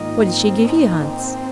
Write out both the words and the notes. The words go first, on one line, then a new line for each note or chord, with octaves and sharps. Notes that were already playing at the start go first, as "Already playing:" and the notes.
'What did she give you, Hans?'
Already playing: G#2 D#3 A#3 F4 D#5
C4
D#4
C4